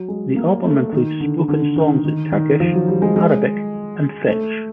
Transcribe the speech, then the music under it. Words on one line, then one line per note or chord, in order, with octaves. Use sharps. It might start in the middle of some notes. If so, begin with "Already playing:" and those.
The album includes spoken songs in Turkish, Arabic, and French.
Already playing: F#3
G#3
A#3
A3
D#3
D3
D3
D#3
D#3
D#3
F3
F#3
G3
G#3
G#3
A3